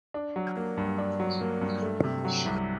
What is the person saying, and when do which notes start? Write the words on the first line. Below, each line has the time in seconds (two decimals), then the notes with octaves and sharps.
Scott initially committed to play college baseball at Arizona.
0.14 D4
0.36 F#3
0.57 A#3
0.77 G2
0.98 D4
1.20 F#3
1.41 A#3
1.61 G2
1.82 A3
2.04 C3
2.25 F#3
2.46 C2